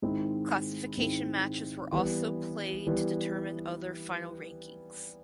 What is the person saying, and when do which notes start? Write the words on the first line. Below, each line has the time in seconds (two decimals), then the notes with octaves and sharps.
Classification matches were also played to determine other final rankings.
0.02 G#2 D#3 G#3 C4 E4
0.97 G#2 D#3 G#3 C4 E4
1.93 E3 G3 B3
2.87 E3 G3 B3